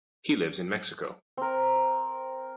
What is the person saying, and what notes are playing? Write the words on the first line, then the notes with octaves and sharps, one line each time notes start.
He lives in Mexico.
C4 A#4